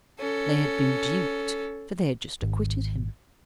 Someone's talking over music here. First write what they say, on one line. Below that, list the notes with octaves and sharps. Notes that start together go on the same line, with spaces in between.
They had been duped, for they had just acquitted him.
C#4 A4
G#1